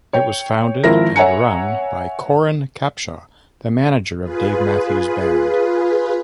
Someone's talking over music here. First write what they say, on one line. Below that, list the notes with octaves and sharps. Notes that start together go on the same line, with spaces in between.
It was founded and run by Coran Capshaw, the manager of Dave Matthews Band.
C#5 G5
G#1 F3 E4 A#4 A#6
C#5 E5 F#5 G#5 A#5 C#7
F4 G#4 B4